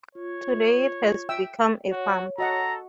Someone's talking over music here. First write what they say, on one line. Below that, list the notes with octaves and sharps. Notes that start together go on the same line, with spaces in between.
Today it has become a farm.
F4 C#5
E5 G5 E6
F#4 C#5
F#4 A4 D#5 F#5 A#5